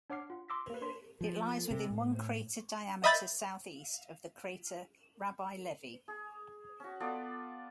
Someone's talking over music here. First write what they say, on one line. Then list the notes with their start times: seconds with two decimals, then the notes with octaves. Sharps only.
It lies within one crater diameter southeast of the crater Rabbi Levi.
0.10 D4 C#5 F#5 D6 F6 C7
0.30 F4 F#5
0.48 C6 D6 E6 A#6 B6
0.70 A#3 B4
0.81 D4 C#5 C6
1.21 F3
1.71 C3
1.90 A2
3.04 D#5 E5 B5 G6 A6
6.08 G#4
6.80 C#4 F#4
7.00 B3 F4 A4 D5